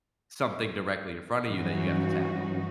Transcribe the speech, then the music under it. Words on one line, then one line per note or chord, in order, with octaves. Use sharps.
something directly in front of you that you have to tackle.
G2 E3 F#3 C#4 D#4 F#4